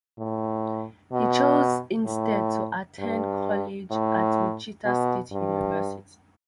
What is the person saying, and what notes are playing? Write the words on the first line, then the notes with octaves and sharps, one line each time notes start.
He chose instead to attend college at Wichita State University.
A2
B2
A2
G2
A2
B2
G2